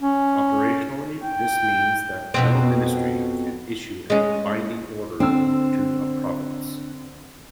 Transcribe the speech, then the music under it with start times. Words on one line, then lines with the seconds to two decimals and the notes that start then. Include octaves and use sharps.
Operationally, this means that no ministry can issue a binding order to a province.
0.02 C#4
1.24 G5
2.34 F2 B2 C4
4.10 G#3 C#4
5.20 D3 C4 E6